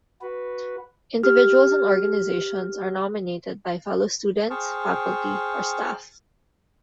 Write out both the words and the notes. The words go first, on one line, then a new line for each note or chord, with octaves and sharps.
Individuals and organizations are nominated by fellow students, faculty or staff.
F#4 B4
G4 F6
G#4 C5 G5 A5 C#6 F6